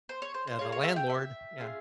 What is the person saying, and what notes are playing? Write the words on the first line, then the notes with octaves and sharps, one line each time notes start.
Yeah, the landlord Yeah.
C5
C#5
C5
C5
A#3 F4 G#4 C#5
C#5
E5
G5
E5
C#4 F4 G#4